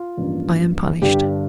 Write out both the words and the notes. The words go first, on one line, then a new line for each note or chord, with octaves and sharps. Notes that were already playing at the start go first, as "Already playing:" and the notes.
I am punished.
Already playing: F4
A1 G2 F3 A#3
G1 G2 D3 G3 D4 G4